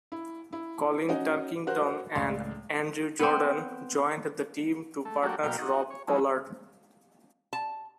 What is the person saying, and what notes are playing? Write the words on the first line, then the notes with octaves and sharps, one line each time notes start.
Colin Turkington and Andrew Jordan joined the team to partner Rob Collard.
E4
E4
C#4 D#4 F#4 D#5
F#4 A#4 C5 F#5 F#6
C#2 A2 D5 F5 C6
B3 C4
A3
F#3 A3 A#3 D4 F#4 G4
B2 F#3 A#3 F5 G5
D#4 F#4
C#5
F3 F#3 G#3 C#4 D#4 E4
A5